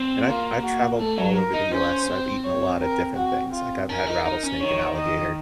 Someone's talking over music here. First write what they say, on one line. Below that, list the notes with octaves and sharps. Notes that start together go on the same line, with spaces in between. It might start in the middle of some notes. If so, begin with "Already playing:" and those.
And I've I've traveled all over the US, so I've eaten a lotta different things, like, I've had rattlesnake and alligator
Already playing: C4
A#3 F4
F#4
A3 A4
F#3
A#4
D#4
C#4 C5
C4
C#5
A#4
F#4
F4
C#4 A#4
D#4
D#4
C#4
D#3 C#5
D#5